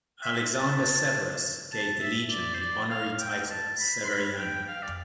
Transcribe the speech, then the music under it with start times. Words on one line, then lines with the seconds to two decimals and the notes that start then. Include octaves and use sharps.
Alexander Severus gave the Legion the honorary title Severiana.
0.24 E5
0.54 A5
1.72 A5
2.01 E5
2.31 D5
2.54 C5
2.61 D5
2.90 F5
3.20 G5
3.50 A5
3.79 B5
4.04 C6
4.08 B5
4.38 G5
4.63 G5
4.68 F5
4.83 D5